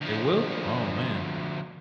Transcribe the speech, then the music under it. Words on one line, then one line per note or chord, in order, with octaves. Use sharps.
They will? Oh man.
D2 F3